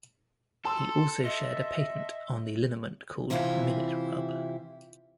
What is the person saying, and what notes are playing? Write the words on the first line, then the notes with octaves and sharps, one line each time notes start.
He also shared a patent on a liniment called Minute-Rub.
A4 A5 C6 E6
D#5 E5
C3 E3 E4 F4 G4